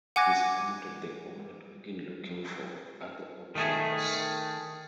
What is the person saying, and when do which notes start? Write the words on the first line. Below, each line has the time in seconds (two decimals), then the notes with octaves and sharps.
This prompted the owner to begin looking for other options.
0.16 F#5 G#5 D6 F#6 G#6 A#6
3.55 D#3 A3 G#4